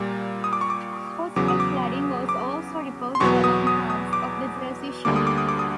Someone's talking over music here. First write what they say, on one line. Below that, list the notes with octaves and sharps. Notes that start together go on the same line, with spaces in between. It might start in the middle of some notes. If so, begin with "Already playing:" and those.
Coastal flooding was also reported along parts of the Jersey Shore.
Already playing: A#2 G3 A#3
D#6
D6
C#6
D6
E2 C#3 F#3 D6
D#6
D6
D6
C6
E2 B2 F#3 B3 C#6
D#6
D#6
D#6
D6
D2 D3 G3 A#3 D6
D#6
D6
D#6
D6
D#6